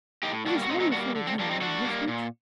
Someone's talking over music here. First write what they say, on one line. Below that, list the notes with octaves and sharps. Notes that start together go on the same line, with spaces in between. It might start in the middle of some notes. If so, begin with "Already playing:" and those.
"It is wonderful of you, Lord Wisbeach."
A2 D#4 G4
G3 A#3 D4 F#4
F#4
A2 C4 D#4
C4 D#4
G3 A#3 D4 F#4
D3
C4
G3 A#3 D4
C4 D#4
D3 D4 F#4
G3 A#3
A#2